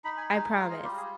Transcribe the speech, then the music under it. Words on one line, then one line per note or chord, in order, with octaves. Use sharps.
I promise.
D#4 B5
G#5
G#3 G#5
G#5
F4 F5
D#5
G3 G4
G#4